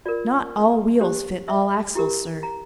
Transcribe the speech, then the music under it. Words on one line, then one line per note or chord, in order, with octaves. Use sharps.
"Not all wheels fit all axles, sir."
F4 A#4 D5
D4 G4 C5
E5
E4 G4 A#4
A#5